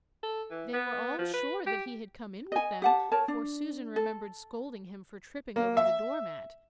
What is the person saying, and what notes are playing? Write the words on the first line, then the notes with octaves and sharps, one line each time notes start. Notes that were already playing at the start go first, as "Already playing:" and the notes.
They were all sure that he had come in with them, for Susan remembered scolding him for tripping over the door-mat.
A4
E3
B3
F3
B4
G4
D#5 G#5
G4 F#5 A5
A#4 C#5 A5
D4
A4
A#3
E5